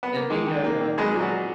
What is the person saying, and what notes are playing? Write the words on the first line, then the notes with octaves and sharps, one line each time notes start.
and me, I uh,
B3
A#3
D#3 G#3
D#3
D#3 A#3
D#3
B1 G#3 G#4
A#2
F#3 F#4